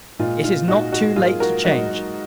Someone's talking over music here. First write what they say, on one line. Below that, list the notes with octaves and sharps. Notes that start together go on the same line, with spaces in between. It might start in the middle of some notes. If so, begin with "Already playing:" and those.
It is not too late to change.
A#2 G#3 F4
F4
A#2 G#3 D#4 F#4
D#4 F#4
G#2 F#3 A#3 F4 G#4
F#4 A#4
G#2 F#3 A#3 D#4 F#4